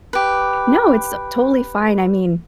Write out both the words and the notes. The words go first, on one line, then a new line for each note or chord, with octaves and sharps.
No, it's, uh, totally fine. I mean,
G4 B4